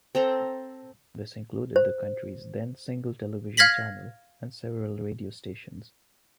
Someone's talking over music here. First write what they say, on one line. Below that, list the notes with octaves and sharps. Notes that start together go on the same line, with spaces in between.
This included the country's then-single television channel and several radio stations.
C4 A4 A#5 C6
C5
F5 F6 G#6 A#6 B6 F#7